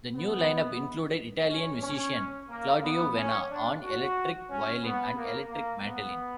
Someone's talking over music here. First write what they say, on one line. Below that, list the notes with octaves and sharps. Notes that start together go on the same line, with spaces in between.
The new lineup included Italian musician Claudio Vena on electric violin and electric mandolin.
B3
C#4
C#4
A#3
B3
C#4
D4
F#4
C#4
B3
A#3
A#3
B3